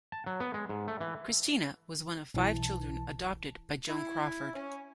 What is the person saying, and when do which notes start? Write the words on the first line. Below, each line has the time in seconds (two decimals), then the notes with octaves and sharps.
Christina was one of five children adopted by Joan Crawford.
0.12 A5
0.26 F#3
0.40 B3
0.54 G#3
0.69 G#2
0.88 A3
1.01 E3
2.34 B1 E3 A5
3.88 E4
4.53 C#4